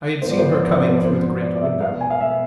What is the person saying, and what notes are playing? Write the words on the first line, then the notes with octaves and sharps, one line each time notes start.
I had seen her coming through the great window.
G#2 F3 B3 C5
D5
C5
D5
C5
D5
C5
D5
C5
D5
C5
D5
D5
E5
B2 B3 F5
G#5
F5
E5